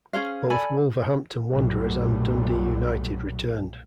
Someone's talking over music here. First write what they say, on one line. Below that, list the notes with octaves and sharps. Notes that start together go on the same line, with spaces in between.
Both Wolverhampton Wanderers and Dundee United returned.
C#4 G#4 C5 F5
A4 D5 G#5 B5
B1 F#2 A#2 F#3 G3 A3